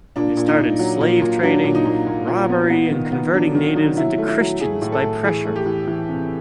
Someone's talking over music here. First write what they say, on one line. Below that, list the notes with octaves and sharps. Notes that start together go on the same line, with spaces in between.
They started slave trading, robbery and converting natives into Christians by pressure.
A#2 D4
A#2
D#4
A#2
F#3
A#2
A#2
F#3 D4
A#2
D#4
A#2
A#2
A#2
B3
B3
D#3
B3
F#3 D4
D#3
F#3 D#4
F#3 E4
A3
E4
F#3
F#3 G#4
A2
A4
A3
E3 G#4
A3
G4
E3
E3
C3